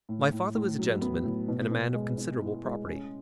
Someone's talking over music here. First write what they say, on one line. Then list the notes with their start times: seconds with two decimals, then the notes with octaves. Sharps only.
My father was a gentleman, and a man of considerable property.
0.09 A2
0.32 A2
0.55 A2
0.79 F#3
1.02 B3
1.25 A2
1.48 B2
1.71 B2
1.94 G#3
2.18 B2
2.41 E4
2.65 G#3
2.88 C#4